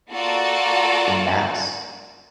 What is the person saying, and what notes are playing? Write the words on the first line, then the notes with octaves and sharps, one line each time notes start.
And that's
A#3 F4 F#4 A4 D5 F#5